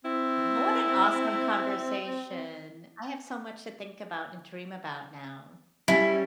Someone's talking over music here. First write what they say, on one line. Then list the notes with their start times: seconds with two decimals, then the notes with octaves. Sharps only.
well what an awesome conversation. I have so much to think about and dream about now.
0.05 C4 E4
5.88 G3 C#4 E4